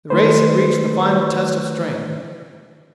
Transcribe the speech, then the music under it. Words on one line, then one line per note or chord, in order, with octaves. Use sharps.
The race had reached the final test of strength.
D#3 A3 B4 C5